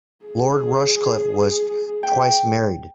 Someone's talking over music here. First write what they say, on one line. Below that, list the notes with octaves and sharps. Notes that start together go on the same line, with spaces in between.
Lord Rushcliffe was twice married.
G#4
G5